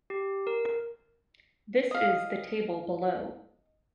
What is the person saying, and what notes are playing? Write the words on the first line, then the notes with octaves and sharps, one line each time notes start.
This is the table below.
G4
A#4
D#5 F5